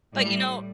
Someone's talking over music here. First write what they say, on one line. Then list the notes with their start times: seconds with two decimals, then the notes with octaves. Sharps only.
But, you know
0.13 A2 G3